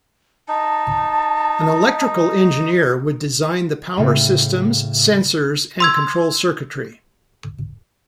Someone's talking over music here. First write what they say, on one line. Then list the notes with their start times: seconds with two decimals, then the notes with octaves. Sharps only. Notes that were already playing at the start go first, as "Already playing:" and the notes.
An electrical engineer would design the power systems, sensors, and control circuitry.
0.48 D#4 A5
3.98 A2 C#3
5.80 C6 E6 G#6